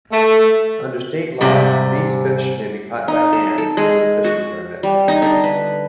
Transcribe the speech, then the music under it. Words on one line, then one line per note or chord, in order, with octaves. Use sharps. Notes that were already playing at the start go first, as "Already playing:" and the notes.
Under state law, these fish may be caught by hand with a fishing permit.
A3
G#2 C3 G3
D#4
A4
A4
G#3
F#4
G3
D#4
D3
B4